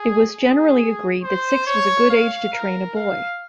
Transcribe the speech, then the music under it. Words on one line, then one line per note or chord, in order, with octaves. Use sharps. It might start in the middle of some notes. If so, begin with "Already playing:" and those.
It was generally agreed that six was a good age to train a boy.
Already playing: G#4
G#4
C5
C#5
F5
A#4
F5